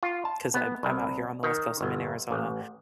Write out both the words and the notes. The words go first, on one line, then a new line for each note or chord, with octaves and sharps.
'cause I'm I'm out here on the West Coast. I'm in Arizona.
F4
A5
B3
C2
D#3
G1
A1